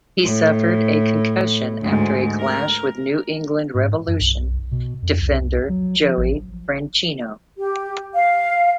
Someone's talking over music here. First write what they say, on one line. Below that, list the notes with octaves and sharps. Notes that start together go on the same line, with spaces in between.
He suffered a concussion after a clash with New England Revolution defender Joey Franchino.
A2
D2 G#2
A#4
G#2
F#2
B1
B2
F2
C2
F#3
F3
A1
G4
F5